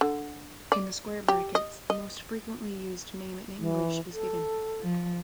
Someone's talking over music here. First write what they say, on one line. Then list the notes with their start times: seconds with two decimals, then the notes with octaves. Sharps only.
In the square brackets, the most frequently used name in English is given.
0.01 D3
0.72 D5
1.28 G4
1.55 D#5
1.90 D#5
3.59 E3
4.13 A4
4.81 F3